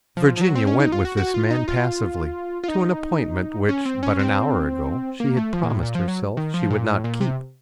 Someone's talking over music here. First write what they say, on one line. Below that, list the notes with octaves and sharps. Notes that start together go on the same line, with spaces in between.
Virginia went with this man passively--to an appointment which, but an hour ago, she had promised herself she would not keep.
F3
F3
F#3
C4
C#4
D#4
F4
F#4
F#4
F4
D#4
F4
F4
D#4
C#4
C4
C#4
C4
A#3
A3
F3
A#2
A2
A#2
F3
F#3
D#3
F3
A#2
A2
A#2
C3